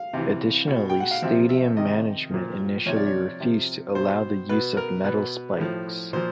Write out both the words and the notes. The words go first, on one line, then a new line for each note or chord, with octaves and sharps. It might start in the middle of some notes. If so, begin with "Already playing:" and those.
Additionally, stadium management initially refused to allow the use of metal spikes.
Already playing: F5
C3 E3
B2
G5
F#5
F5
C3 F3 E5
E5
C3 D#3 D#5
A#2 F3
C3 F3 C#5
D5
C#5
C3 F3
B2 C5
B2 B4
A#4
B2 B4
A2 F3
A#2 F3 C5